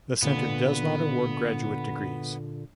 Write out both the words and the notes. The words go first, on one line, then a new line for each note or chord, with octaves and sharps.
The Center does not award graduate degrees.
A#2 D3 B3